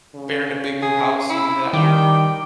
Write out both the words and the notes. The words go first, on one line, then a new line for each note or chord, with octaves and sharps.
Bear in a Big Blue House, do you remember that one?
C#3
G#4
E4
D#3 G3 G5 D6